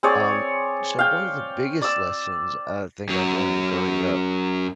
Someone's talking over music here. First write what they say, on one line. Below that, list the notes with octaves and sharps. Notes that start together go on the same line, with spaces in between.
Um, so one of the biggest lessons I think I've learned growing up,
C4 G#4 C#5 D5
F5 G5
D5 E6
F#2 F#3